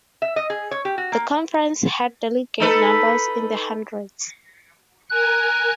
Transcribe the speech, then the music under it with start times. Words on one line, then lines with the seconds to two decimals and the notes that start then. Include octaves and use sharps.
The conference had delegate numbers in the hundreds.
0.22 E5
0.36 D#5
0.50 G#4
0.71 C#5
0.85 G4
0.98 F#4
1.12 A#3
2.60 D#4 A4 B4
5.10 A#4 G#5 F#6